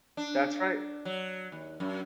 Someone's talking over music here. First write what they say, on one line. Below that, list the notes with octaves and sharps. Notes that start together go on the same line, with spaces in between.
That's right.
D4
F#3
D#2
F#2